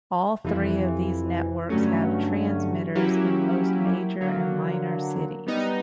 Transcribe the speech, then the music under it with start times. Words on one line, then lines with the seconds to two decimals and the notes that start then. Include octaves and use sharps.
All three of these networks have transmitters in most major and minor cities.
0.44 F2 C3 E3
1.70 G2 D3 F#3 A3 C#4
2.95 F#3 A#3 C#4 E4 G4
4.21 D3 F#3 A#3
5.46 G3 B3 D#4